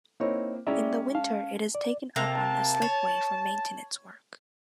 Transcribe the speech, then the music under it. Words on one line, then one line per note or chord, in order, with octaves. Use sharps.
In the winter it is taken up on a slipway for maintenance work.
A#3 C4 D#4 E4 C#5
G#3 C#4 E4 G4 D5 E5 A#5
F5 A5
D5
C3 A#3 A5 A#5
C#5